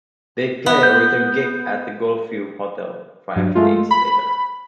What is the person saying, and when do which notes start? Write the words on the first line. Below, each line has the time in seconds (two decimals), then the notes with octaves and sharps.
They played a return gig at the Golfview Hotel five days later.
0.66 B3
0.83 G6
3.36 G2 F#3
3.55 G#3 A3 F4
3.91 B5